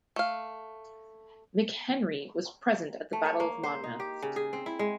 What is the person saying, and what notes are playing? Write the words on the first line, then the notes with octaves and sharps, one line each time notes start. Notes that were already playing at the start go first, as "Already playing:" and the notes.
McHenry was present at the Battle of Monmouth.
A3 F5
A3
C#5
A#3
C5
D#4
G4
C#3
G#4
C4
E4
G#3